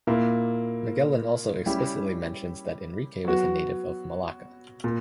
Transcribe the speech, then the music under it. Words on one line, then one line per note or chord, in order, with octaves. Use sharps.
Magellan also explicitly mentions that Enrique was a native of Malacca.
A#2 A#3 E4
G3 C#4 E4 G4
F#3 B3 F#4
A#2